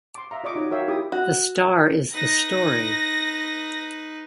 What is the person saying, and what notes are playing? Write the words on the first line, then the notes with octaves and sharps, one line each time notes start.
The star is the story.
C6 D6
E5 F5 A#5
F4 D5 D#5 C#6 D6
D#4 F#4 C#5 D#5
F#4 A#4 C#5 E5 F5 G5
E4 G4 D6 D#6
F#4
D#4 B4 A#6